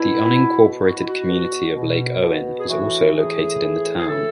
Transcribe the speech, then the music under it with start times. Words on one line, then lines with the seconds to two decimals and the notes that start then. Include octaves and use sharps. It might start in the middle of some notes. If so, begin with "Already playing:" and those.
The unincorporated community of Lake Owen is also located in the town.
Already playing: B2 E4
0.34 B2
0.81 B2 F#4
0.93 E4
1.07 F#4
1.27 B2
1.75 B2
2.21 B2
2.60 G#4
2.68 A2 E3 F#4
3.15 A2 E3 G#4
3.62 A2 E3
3.96 G#4
4.08 A2 E3 A4